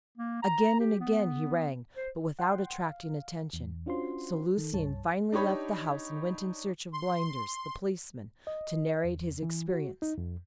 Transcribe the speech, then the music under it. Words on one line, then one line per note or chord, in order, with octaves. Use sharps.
Again and again he rang, but without attracting attention; so Lucian finally left the house and went in search of Blinders, the policeman, to narrate his experience.
A#3
A#5
G4
B3
C5
F#5 G5 C6
F5
E2
C#4 D4 F4 F#4 C5 C6
D#3 A4
C2 G2 C#5 A5
D4 D#4 G4 C#5 B5
C6
D#5
E2
E3
F#4
D#4
F2